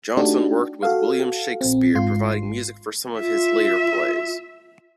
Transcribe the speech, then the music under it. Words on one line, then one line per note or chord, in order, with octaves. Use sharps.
Johnson worked with William Shakespeare providing music for some of his later plays.
A3 D4 D#4 F#4 G4
F#4 A4 F5
A#1 C4
G#1 G#2 F4 C6 C7
F4 E5